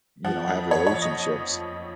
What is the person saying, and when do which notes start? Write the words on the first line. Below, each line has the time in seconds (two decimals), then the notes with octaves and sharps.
you know, have relationships.
0.25 F3 F#5
0.48 F2
0.71 F2 C#5
0.87 C#5
0.94 F3
1.02 D#5